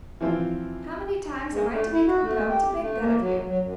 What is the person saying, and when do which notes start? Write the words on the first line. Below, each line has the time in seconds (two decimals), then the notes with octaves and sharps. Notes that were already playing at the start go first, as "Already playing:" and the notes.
How many times am I to be compelled to beg that of you!
0.21 E3 F3 C4 E4 F4
1.52 G#3
1.72 A3
1.92 E4
2.07 F#4
2.23 A3
2.49 G4
2.80 A3
2.99 A#3
3.19 F#3
3.46 F#3
3.62 F#2